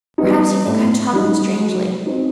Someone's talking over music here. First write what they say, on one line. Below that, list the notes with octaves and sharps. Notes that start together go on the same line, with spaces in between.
Perhaps you think I am talking strangely.
G3 B3 D#4
A2
G3 D#4
F#3
C4 D#4